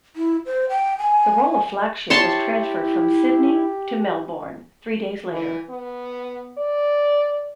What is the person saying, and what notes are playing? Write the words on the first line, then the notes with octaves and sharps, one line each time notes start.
The role of flagship was transferred from "Sydney" to "Melbourne" three days later.
E4
C5
G5
G#5
E4 G4 C#5 A5 C6
E3
B3
D5